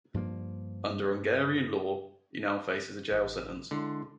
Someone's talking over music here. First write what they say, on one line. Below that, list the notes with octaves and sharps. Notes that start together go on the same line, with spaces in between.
Under Hungarian law he now faces a jail sentence.
G2 F3 A#3
A1
D3 G#3 E4 C6